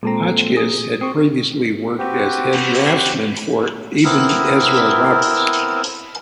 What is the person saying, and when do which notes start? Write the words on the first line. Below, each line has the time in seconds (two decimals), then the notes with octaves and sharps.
Hotchkiss had previously worked as head draftsman for Eben Ezra Roberts.
0.03 A#2 G#3 C4 A4 A#5
0.57 G#4 D#6
1.01 C4 C#6 D#6
1.98 C4 F#4 G4 B4 G5
4.04 B3 C4 E4 A#4